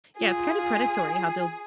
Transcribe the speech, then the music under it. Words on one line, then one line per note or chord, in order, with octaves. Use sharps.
Yeah, it's kinda predatory how they'll
F4 G#4